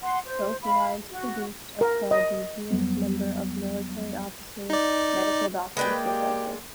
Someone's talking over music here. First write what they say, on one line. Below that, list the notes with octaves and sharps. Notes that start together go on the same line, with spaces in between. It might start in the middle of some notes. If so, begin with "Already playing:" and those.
Both lines produced a prodigious number of military officers, medical doctors, or dentists.
F#5 C6
C5
F5 B5
F#4
A#4
D#5
F2 F#3 G3 B3
D#4 D5
G#3 A#3 B4 D5 G5
G4